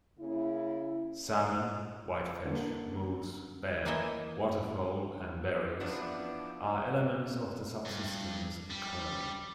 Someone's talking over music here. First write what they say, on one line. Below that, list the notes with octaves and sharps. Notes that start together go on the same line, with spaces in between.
Salmon, whitefish, moose, bear, waterfowl and berries are elements of the subsistence economy.
C#3 A#3 E4
D3 A#3
E3 A#3 E4 C#5 D#5 E5
E3 F3 B3 D4
G2
G3